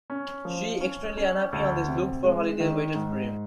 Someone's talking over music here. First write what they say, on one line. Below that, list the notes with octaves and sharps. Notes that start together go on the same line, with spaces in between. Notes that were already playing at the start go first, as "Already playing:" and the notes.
She, extremely unhappy on this looked-for holiday, waited for him.
C#4
F3
C#4
C#4
D2
C3
G#3
D#3
G#2